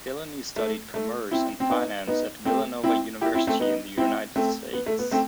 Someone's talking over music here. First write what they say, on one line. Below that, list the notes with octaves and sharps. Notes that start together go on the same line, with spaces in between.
Delany studied commerce and finance at Villanova University in the United States.
A3
A3
C4 E4
C4
B3 D#4
B3 D#4
A3 C4
C4 E4
E4 G4
C4 E4
A3 C4
B3 D#4
C4 E4
A3 C4
B3
A3
B3
A3 C4